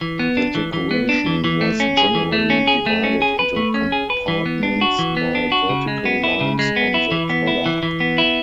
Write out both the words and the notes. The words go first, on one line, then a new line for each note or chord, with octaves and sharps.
The decoration was generally divided into compartments by vertical lines on the collar.
E3
B3
D4
E3
E3
B3
D4
E3
E3
A3
C#4
G#4
E3
A3
C#4
G#4
A3
C#4
G#4
B4
A3
C#4
G#4
B4
E3
B3
D4
F#4
E3
B3
D4
F#4
C#3
G#3
B3
E4
C#3
G#3
B3
E4
E3
B3
E4
E3
E3
B3
E4